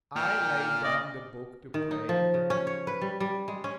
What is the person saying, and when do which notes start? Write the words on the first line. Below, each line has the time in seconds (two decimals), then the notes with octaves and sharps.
I laid down the book, to pray.
0.16 A#2 G5 F6
0.84 D5 D#5
1.74 D#3
1.91 D#4
2.09 F3
2.34 C#3
2.50 C#4
2.67 C#5
2.87 B4
3.01 G3
3.20 G3
3.48 G#3
3.64 C#4